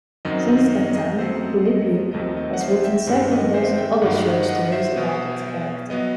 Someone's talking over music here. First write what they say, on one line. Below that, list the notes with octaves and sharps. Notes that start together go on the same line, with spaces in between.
Since that time, Pilipiuk has written several dozen other short stories about that character.
F#2 D#3 F#3 C4 D#5
D#5
D#5
D#5
F#2 F#3 A3 C4 C5
D#5
D#2 D#3 A3 C4 D#5
D#5
F#5
C5 E5
E5 G5
G2 D#3 A3 C4 C5 E5
D#5
C5 E5
E5 G5
G2 D#3 F#3 D#5 F#5
D#5 F#5
D#5 F#5
C5 E5
B2 F#3 B3
F#3 B3 D#5